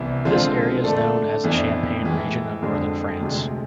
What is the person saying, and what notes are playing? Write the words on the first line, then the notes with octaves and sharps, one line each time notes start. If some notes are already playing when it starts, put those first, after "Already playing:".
This area is known as the Champagne region of Northern France.
Already playing: C2 C3 E3 B3 E4
D3 F3 G#3 C4 F4
D3 A3 D4 A4
F2 E3 B3 D4
A2 E3 G#3
F2 D3 G#3
D2 C3 G#3